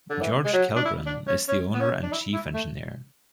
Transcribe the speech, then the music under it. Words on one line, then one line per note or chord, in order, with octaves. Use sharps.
George Kellgren is the owner and Chief Engineer.
D3
E3
G#3
F#3
D4
E4
D4
C#4
C#4
B3
C#4
D4
E4
E4
A3